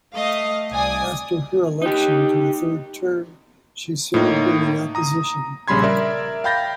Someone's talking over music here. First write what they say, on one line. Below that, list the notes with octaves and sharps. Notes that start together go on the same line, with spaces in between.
After her election to a third term she served in the opposition.
A3 D#5 F5
C2 D5 G#5 D#6
D#4 G4
A2 A#3 D#4
A#5 D#6
A#1 C#3 G3 B5 C6 G#6
A#4 D5 E5
F5 G5 B5 G6 A6 A#6